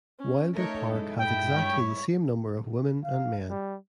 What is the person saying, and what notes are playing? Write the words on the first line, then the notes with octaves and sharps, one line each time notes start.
Wilder Park has exactly the same number of women and men.
C#4
A3 D#4 A4 A#4 C#5
F#2 G#3 E4
G2 G#3 E4 G5
C#5 C#6
F5
G3